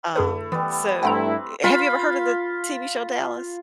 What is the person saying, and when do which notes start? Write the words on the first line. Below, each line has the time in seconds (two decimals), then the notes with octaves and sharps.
Um, so, eh have you ever heard of the TV show Dallas?
0.16 F#2 A3 E4 G#4 B4
0.52 E3 G3 B3
1.03 G2 A3 C4 E4 B4 F#5 G5 A#5
1.64 F4 B5